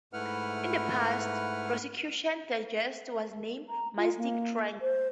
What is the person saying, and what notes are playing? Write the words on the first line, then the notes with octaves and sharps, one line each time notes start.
In the past "Rosicrucian Digest" was named "Mystic Triangle".
G#2 A3 E4 B4 F#5 F6
A#5
F4
A#3
C5